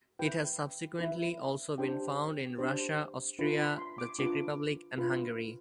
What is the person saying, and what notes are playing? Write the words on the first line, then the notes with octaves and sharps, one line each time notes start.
It has subsequently also been found in Russia, Austria, the Czech Republic, and Hungary.
E4 B4 G5
E4 B4
D4 G4 C5 G5
D4 G4 C5
D4 F4 B4
B5
C6
D6
D4 F4 B4 D6
D4 F4 B4